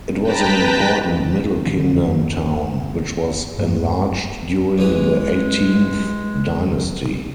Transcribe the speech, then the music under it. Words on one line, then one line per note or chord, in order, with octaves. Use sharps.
It was an important Middle Kingdom town, which was enlarged during the Eighteenth Dynasty.
B4 G5 A5 A#5 B6
D#1 A#2 E3 F3
F#2 D3
G2 A3 A#3
E2 E3 G#3